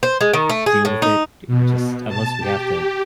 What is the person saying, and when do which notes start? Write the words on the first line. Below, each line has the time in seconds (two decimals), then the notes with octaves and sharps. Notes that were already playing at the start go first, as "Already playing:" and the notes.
deal with it and just unless we have to,
0.03 C5
0.21 G#3
0.33 D#3
0.50 A3
0.66 G#4
0.85 A2
1.02 D#4
1.47 B2
2.08 A5
2.40 G4